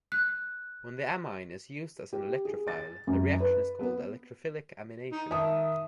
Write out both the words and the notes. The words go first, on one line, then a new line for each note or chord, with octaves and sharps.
When the amine is used as an electrophile, the reaction is called electrophilic amination.
F#6
G4
G#4
A6
F#2
B4
B3
D#4
D#3 E5 A5 D#6